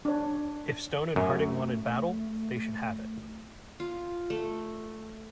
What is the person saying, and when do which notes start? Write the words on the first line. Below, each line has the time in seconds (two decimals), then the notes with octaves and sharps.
If Stone and Harding wanted battle, they should have it.
0.05 D4 C#5
1.16 F#2 A3
3.80 F4
4.30 A3